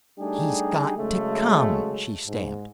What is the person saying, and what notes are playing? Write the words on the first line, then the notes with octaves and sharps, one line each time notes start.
"He's got to come." She stamped.
G3 A3 D4 D#4 G4 G#4
C#3 F#3 G#3 A3
G#2